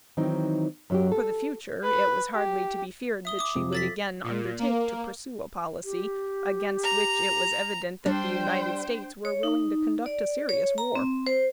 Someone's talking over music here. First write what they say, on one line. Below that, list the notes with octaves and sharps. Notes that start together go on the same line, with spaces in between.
For the future it was hardly to be feared that she would again undertake to pursue a policy against which it was evident that the United States were willing to conduct a serious war.
D#3 E3 F#3 C4 D#4
F#2 F#3 G4
A4
B4
G4
E5 D#6 G7
D6 D#6
F2 C3 F3
A4 A6 B6
A#2
A#3
G4
A#5
G3 D4 C5 G5
C#5
D#4
D5
C#5
A#5
C4
C5